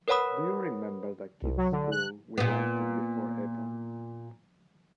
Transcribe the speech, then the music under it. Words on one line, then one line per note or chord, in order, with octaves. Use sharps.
Do you remember that kids' school we went to before Eton?
A#4 B4 C#5 F#5 B5 D#6
C2
F#3
D3
F#6
A#2 B3